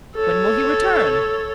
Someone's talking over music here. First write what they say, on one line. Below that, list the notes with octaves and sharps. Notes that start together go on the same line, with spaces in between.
"When will he return?"
A4 C#5